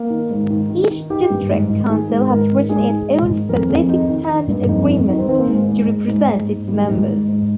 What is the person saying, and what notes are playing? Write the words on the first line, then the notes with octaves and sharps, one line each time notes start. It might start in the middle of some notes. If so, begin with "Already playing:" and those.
Each district council has written its own specific Standard Agreement to represent its members.
Already playing: A#3
D#3
G#2
D#3
D#3
D#3
D#3 G4
G2
G#2
D#3
D#3 G#4
G#2
G#2 A#4
D#3
G#2 G#4
D#3
G#2
D#3
F2 A#4
F2 G#4
D#3 D#4
D#3
D#3
G2
F2 D#4
D#3
D#3 D#4
C4
D#3 C4
A#3
G#2 G#3
G#2
G#2
G#2
G#2
G#2
D#3 G3
G#2
G#2
G#2